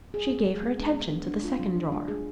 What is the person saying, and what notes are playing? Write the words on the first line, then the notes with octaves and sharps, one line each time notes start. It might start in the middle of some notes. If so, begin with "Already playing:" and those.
She gave her attention to the second drawer.
G#4
G#4
G#3
B3
D4
B3
D4
D4
F4
F#3
D4
D4
G#4